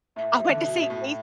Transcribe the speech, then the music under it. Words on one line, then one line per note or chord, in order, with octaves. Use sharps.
I went to see Keith
A2 E5
C3
E3
D3
B2
C3
B2
A2